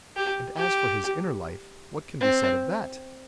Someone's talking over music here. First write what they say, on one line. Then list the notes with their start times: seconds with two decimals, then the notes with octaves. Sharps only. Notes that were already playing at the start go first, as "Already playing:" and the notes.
And as for His inner life, what can be said of that?
0.16 G4
0.57 G4
2.21 C4